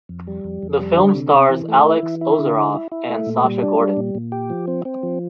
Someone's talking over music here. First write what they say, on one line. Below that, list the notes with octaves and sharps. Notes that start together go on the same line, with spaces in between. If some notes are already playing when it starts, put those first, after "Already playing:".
The film stars Alex Ozerov and Sasha Gordon.
F2
G3
F2
F2
G3
D3
C3
C3
E3
A3
E4
E3
E4
D3
E4
E4
E4
A3
A#2
G3
D4
G3
A#2
A#2
G4
F3
C4
C4
F3